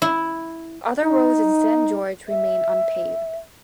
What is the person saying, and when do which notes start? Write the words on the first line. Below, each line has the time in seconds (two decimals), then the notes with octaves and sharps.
Other roads in San Jorge remain unpaved.
0.02 E4
1.05 D#4
2.28 E5